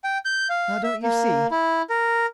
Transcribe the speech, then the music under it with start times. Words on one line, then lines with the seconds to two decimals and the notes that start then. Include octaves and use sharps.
'Now, don't you see!
0.04 G5
0.25 G6
0.50 F5
0.83 E5
1.03 A#3
1.51 E4
1.90 A#4